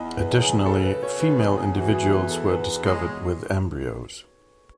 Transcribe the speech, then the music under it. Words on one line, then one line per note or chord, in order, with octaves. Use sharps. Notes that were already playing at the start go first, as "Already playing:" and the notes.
Additionally, female individuals were discovered with embryos.
Already playing: E2 D#5
B4
C#3
G#4
C#3 A4
B4
C#3 C#5
B4
E2 G#4
G#4
E3 F#4
G#4
E2 G#4
A4
E2 B4
G#3 C#5